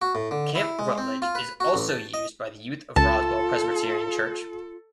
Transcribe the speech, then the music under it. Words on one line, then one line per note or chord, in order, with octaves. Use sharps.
Camp Rutledge is also used by the youth of Roswell Presbyterian Church.
F#4
A2
D3
E4
G#3
C4
F4
B4
F#4
A1
A5
D#5
C#2 F4 A4 A5